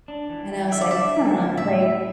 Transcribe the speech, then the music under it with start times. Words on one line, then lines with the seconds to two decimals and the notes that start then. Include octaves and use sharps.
and I was like, "Huh," like,
0.08 D4
0.30 E3
0.51 E4
0.72 D3 E5
0.81 D5
0.91 D4 E5
1.14 D3
1.36 E4
1.57 A2 E5
1.78 E4